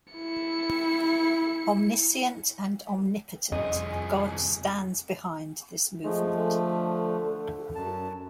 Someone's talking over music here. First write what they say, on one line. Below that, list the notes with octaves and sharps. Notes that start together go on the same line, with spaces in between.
Omniscient and omnipotent God stands behind this movement.
E4 C#7
C2 F2 G#4 D#5
F3 G#3 A3
D3
F#2 A5